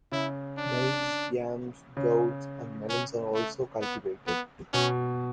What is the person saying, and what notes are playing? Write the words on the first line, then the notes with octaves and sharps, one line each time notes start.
Maize, yams, gourds and melons are also cultivated.
C#3 E4
D4
C#3
C#4
A3
B3
B3
B2 C#4